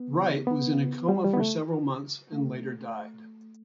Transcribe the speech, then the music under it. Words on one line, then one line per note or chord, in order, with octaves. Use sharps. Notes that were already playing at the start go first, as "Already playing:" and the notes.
Wright was in a coma for several months and later died.
Already playing: B3
B3
G3
G3
B3
A3
A3